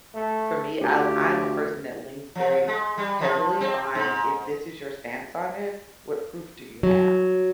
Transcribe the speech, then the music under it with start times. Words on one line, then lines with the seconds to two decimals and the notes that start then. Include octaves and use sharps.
for me, I I'm a person that leans very heavily on, "If this is your stance on it, what proof do you have?"
0.15 A3
0.81 D2 F4 G4
2.35 F3
2.67 G#3
2.98 G3
3.21 F3
3.61 C4
3.95 G#2
6.83 F#3